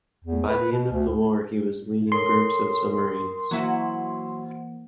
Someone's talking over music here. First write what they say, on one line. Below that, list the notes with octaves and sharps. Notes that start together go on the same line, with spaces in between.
By the end of the war he was leading groups of submarines.
E2
B4
B2
D2
A4 A#4 C#5 C6 D#6
E3 F#3 A#3 E4 F#4 C5 F#5